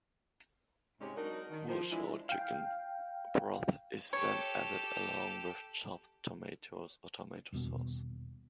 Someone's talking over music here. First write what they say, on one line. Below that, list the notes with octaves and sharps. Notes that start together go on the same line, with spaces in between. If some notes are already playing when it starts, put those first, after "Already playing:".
Water or chicken broth is then added along with chopped tomatoes or tomato sauce.
G#2 C3 G#3 C#4 G4 C#5
F#3 D4 D#4 F#4 A#4
D#3
F3
E3 G#3 D4 E4
F5 G5
G4 A4 C#5
D#1 E2 B2 B3